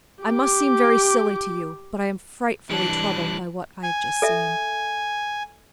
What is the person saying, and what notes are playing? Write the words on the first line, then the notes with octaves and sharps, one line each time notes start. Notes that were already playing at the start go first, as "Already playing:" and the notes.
"I must seem very silly to you, but I am frightfully troubled by what I have just seen."
G4 D6
E3 G3 D4 F#6
G#5
A4 E5